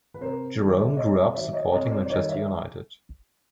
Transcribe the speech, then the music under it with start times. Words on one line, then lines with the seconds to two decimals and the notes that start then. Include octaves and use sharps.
Jerome grew up supporting Manchester United.
0.14 B4
0.21 C3 A#4 C5
0.59 D#3 F#3
0.78 D5 E5
0.96 C3 C#5 D#5
1.16 C5 D5
1.34 D#3 F#3 D5 E5
1.53 C#5 D#5
1.72 C3 C#5 D#5
1.84 C#5
1.91 C5 D5
2.06 D5
2.10 D#3 G3 C#5 D#5
2.29 D5 E5